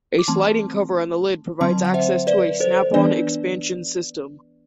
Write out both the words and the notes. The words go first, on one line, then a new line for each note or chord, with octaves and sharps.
A sliding cover on the lid provides access to a "snap on" expansion system.
D6
E3 A3 C4 A5 C6
D3 F#3 C4 A5 C6
F#5
C5 E5
B4 D5
A4 C5
E3 B3 D4 B4 D5